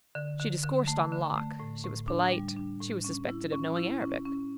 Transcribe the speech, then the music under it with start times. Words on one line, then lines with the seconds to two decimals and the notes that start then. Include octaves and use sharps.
She discoursed on Locke; she was polite; she was suspected of knowing Arabic.
0.15 D3
0.40 D3
0.64 D3
0.88 A3
1.12 D3
1.35 A3
1.60 A2
1.84 A2
2.08 D4
2.32 G3
2.57 D4
2.81 A2
3.04 C#4
3.29 E4
3.52 C#4
3.77 E4
4.02 C#4
4.25 C#4